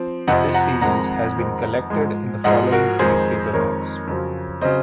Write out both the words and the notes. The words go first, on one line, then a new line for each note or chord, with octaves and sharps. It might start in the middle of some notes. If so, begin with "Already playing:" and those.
This series has been collected in the following trade paperbacks.
Already playing: F3 C4
F2 C3 F3 C4 D#5 F#5
F#5 A#5
F2 D#3 G#3 C4 F#5 A#5
F2 D#3 G#3 C4
G#2 F3 G#3
G#2 F3 G#3 D#5 F#5
F#4 A#4
F2 D#3 G#3 C4 G#4 C5
F2 D#3 G#3 C4 A#4 C#5
F2 C#3 F#3 C4
C#3 F#3 C4 C5 D#5